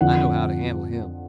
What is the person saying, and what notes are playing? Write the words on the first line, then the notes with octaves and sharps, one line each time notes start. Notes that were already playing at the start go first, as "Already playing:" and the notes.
I know how to handle him.
F2 D3 F3 F#5